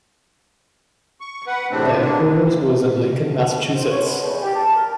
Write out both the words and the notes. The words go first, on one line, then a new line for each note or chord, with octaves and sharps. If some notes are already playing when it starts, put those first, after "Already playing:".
The headquarters was in Lincoln, Massachusetts.
C#6
B4 F#5
E2 A2 C3 A3 C4 D4
B2 D3 G#3 A#3 D4
D2
C5
C#5
B2
E2
G4
A5
A#4